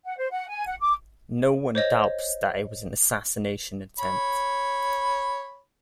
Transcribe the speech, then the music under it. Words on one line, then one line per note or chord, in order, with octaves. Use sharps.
No one doubts that it was an assassination attempt.
F#5
C5
F#5
G#5
F#5
D6
C5 C#5 D#5
C#5 B5